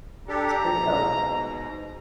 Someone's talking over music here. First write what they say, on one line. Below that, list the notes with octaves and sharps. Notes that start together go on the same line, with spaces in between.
It's pretty dope.
D4 G4 A4 A#5
G#2 B2